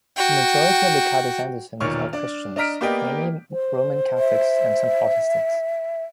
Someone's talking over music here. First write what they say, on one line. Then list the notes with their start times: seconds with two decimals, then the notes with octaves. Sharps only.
The majority of the Kadazandusuns are Christians, mainly Roman Catholics and some Protestants.
0.16 F#4 G5
1.80 E1 A#2 D#3 C#5 C#6 F6
2.13 D4 D5
2.56 D4 D#5 A#5 F6 B6 D7
2.81 A#3 B3 G4 D5 D#5 G5
3.52 C5
4.18 E5